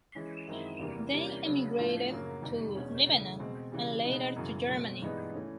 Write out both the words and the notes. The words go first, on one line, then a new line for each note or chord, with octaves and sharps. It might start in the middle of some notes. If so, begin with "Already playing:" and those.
They emigrated to Lebanon and later to Germany.
E3 G#3 C#4
F#2 D#3 G#3 C4 E4
E2 C3 E3 G3 A#3
C3 E3 G3 A#3 C#4
C#3 F#3 B3 D4
A2 F3 A3 D4 F4
F#2 C#3 F#3 A#3
F2 C3 D#3 G3
E2 B2 G#3 C#4
C#3 E3 A3
B2 G#3 C4
C#3 E3 G3
B2 G#3 B3 D#4
F#2 C#3 E3
B2 F#3 A3 C4
G2 E3 G#3 B3 D#4
E3 A3 C#4